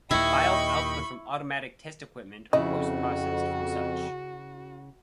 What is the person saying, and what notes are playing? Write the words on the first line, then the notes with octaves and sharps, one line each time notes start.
Files output from Automatic Test Equipment or post-processed from such.
D#2 A#2 E4 D#5 G5 B5 C#6
F2 C#3 E4 F#4 D#5